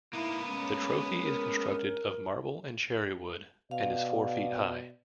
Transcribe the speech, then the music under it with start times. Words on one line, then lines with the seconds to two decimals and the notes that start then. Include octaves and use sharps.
The trophy is constructed of marble and cherry wood, and is four feet high.
0.13 A#3 B3 D#4 E4
0.49 G#3 C#4
1.23 A#4
3.71 B2 D5 F5